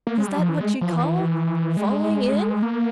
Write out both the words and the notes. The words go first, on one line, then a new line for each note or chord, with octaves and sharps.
"Is that what you call FALLING IN?"
A#3
G#3
G3
F3
E3
G#3
F3
E3
G#3
A#3